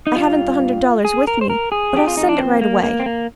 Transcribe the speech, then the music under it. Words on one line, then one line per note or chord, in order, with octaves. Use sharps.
I haven't the hundred dollars with me, but I'll send it right away.
D#4
G2 D#3 G3 F4
G#4
A#4
C5
A#4
G#4
F2 C3 F3 G4
F4
D#4
D4
C4
A#3
A#3
C4
A#3